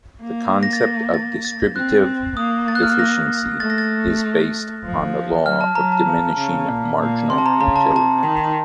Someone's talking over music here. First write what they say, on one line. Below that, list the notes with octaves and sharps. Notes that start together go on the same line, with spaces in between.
The concept of distributive efficiency is based on the law of diminishing marginal utility.
A#3
A#6
A6
A#6
A6
A6
C4 F#6
A#3 D#6
A6
F#6
F6
F#6
A#6
A3 A6
A#6
A6
F3
F#3 F6
A5
F#3 A#5
A5
F3
C#3
A#2
A#2
C3 C6
A5
A#5
C#3 A#5
A5
C3 A5
D#3